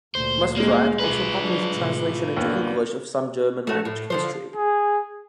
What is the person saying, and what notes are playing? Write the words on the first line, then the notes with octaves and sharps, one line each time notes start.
Muspratt also published translation into English of some German-language chemistry.
D2 A#2 C5
G3 G#3 A#3
B1 F4 B4
F#3 D4
A2 C3
D#2 B3 D4
A3 F#4
A2
D3 F3 C5
G#4